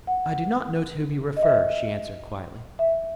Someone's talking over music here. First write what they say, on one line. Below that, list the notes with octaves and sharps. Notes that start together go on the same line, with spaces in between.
"I do not know to whom you refer," she answered quietly.
F#5
D#5
E5
E5